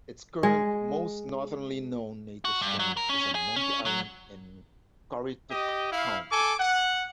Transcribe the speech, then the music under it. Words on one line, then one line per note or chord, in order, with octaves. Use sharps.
Its current most northerly known native stand is on Monkey Island in Currituck County.
G#3
F#4
G2
F#3
A#4
C#4
G#4
C#4
F#3
G4 D#5
E4 F5
A4 G#5 D6
F#5